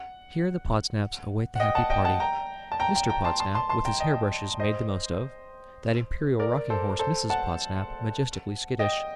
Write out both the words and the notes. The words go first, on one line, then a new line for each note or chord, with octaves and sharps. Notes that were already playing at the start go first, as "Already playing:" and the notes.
Here, the Podsnaps await the happy party; Mr Podsnap, with his hair-brushes made the most of; that imperial rocking-horse, Mrs Podsnap, majestically skittish.
Already playing: F#5
F#5
D#5 G5
F#5 A5
D#5 G5
F#5 A5
G5 A#5
A5
G5 A#5
G5 A#5
G5 A#5
A5 C6
A5 C6
A5 C6
A5 C6
G5 A#5
D#5 G5
C5 D#5
A#4 D5
A4 C5
A4 C5
F#5 A5
D#5 G5